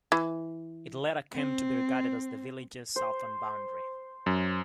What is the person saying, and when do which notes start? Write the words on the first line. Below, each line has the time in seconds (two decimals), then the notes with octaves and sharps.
It later came to be regarded as the Village's southern boundary.
0.12 E3
1.33 C4
2.96 C5
4.26 F#2